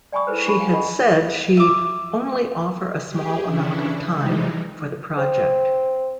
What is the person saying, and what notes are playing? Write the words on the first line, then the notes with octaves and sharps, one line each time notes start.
She has said she "only offer a small amount of time" for the project.
D5 G5 G#5 B5 C#6 D#6
E4 G#4 A4 B4 C5
D4 G#4 A4 G#5 B5 C#6
F5 G5 G#5
D4 A4 D#5 F#5 B5 D#6
E5 D6
G4 G#4
C#3 E3 C#4 D4 E4
E3 F3 G3 G#3 D#4
C4